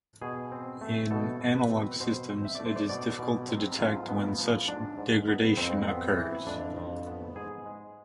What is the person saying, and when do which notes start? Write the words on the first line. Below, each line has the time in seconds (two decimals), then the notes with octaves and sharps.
In analog systems, it is difficult to detect when such degradation occurs.
0.22 B2 G#4
0.52 C4
0.81 A3
1.11 B2 A4
1.41 B2
1.55 B4
1.70 C4
2.00 B2 C5
2.30 C4
2.45 E5
2.55 A3 D5
2.66 C5
2.76 D5
2.89 B2 D5
3.19 B2
3.49 C4
3.78 G#2 F4
4.09 B3
4.38 F3
4.68 G#2 D4
4.98 G#2
5.27 B3
5.57 F2 C4
5.82 C4
5.87 B3
6.17 E3
6.47 F2 D4
6.77 F2
7.06 B3
7.36 G#2 G#4
7.66 G#3